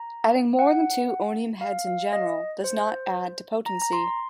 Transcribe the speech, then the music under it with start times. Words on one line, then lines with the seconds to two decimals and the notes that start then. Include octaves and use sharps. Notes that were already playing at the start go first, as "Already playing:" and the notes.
Adding more than two onium heads in general does not add to potency.
Already playing: A#5
0.59 F#5
1.61 F5
1.87 F5
2.13 D#5
2.64 C5
3.66 A#5
3.82 A#5
3.93 C6